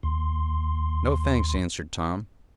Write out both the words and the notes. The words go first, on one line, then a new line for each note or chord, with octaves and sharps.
"No, thanks," answered Tom.
D#2 C6